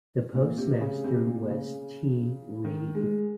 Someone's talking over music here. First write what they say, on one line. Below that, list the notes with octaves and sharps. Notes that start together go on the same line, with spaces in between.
The postmaster was T. Read.
A#2
C3
C#3
C3
A#2
C#3
D#3
G#3